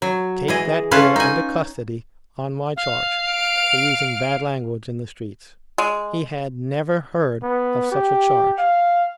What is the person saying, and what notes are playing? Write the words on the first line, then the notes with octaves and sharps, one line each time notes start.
'Take that girl into custody, on my charge, for using bad language in the streets.' He had never heard of such a charge.
F#3
E3 G#4 D#5
C#4 E4 F4 A4 B4 F5
D#4 G#5
F5
D7 F7
G#3
B3
G4
F5